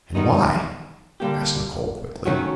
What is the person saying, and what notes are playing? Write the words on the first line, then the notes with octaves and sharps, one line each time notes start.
"And why?" asked Nicholl quickly.
D#3 G3 B3 D#4
D3 G3 A#3 D4 G4
D#3 F#3 A3 C#4 F#4